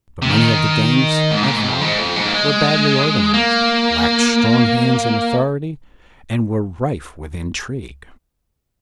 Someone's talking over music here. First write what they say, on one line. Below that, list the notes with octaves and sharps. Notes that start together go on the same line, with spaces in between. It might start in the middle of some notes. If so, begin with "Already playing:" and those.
But many of the gangs, I found, were badly organized, lacked strong hands in authority, and were rife with intrigue.
C3
D#3
G#2
A#2
G#2
F2
G#2
F2
G#2
A#3
G#3
A#3